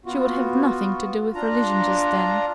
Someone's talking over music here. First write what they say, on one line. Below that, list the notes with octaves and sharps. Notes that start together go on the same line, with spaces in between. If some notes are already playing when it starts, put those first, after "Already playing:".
She would have nothing to do with religion just then.
B3 F4 F#4
D4 F4 A#5